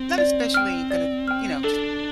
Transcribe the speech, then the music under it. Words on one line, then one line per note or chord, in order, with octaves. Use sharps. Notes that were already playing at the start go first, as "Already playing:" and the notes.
not especially gonna, you know, t
Already playing: C4
D5
G5 F6
D5
G5 F6
D4 A4